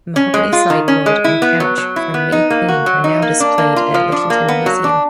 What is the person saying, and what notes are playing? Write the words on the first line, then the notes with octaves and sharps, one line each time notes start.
A mahogany sideboard and couch from "May Queen" are now displayed at Lyttelton Museum.
C#4
G#3
F4
D#3
C#4
G#3
E4
B3
F#3
F#3
E4
B3
D#4
A#3
F#4
F#3
D#4
A#3
D4
A#3
F4
F3
D4
A#3
B3
F#3
D4